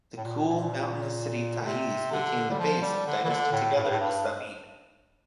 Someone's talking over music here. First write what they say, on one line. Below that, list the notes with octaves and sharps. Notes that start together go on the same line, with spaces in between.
The cool mountainous city Ta'izz became the base of the dynasty together with Zabid.
A2
A#2
A#2
D3
C3
D3
G3
F3
G3
D3
E3
D3
A2
A2
G2
A2
G2